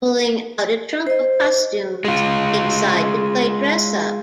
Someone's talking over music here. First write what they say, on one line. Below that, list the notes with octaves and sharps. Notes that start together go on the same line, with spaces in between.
Pulling out a trunk of costumes, they decide to play dress up.
C5 D#5
G#3 F4